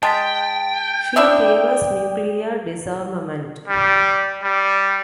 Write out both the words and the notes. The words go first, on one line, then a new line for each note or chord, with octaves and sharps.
She favours nuclear disarmament.
G#3 G5 A5 A6 B6
D4 E4 D5 E5 D#6
G3
G3